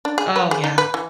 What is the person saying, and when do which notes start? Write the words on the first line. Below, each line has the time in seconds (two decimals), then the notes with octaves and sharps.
Oh, yeah.
0.05 D4
0.18 G#4
0.36 B4
0.51 G#4
0.64 D#4
0.78 B4
0.94 E3